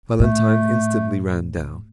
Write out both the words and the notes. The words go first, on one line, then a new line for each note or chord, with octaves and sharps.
Valentine instantly ran down.
A2 A3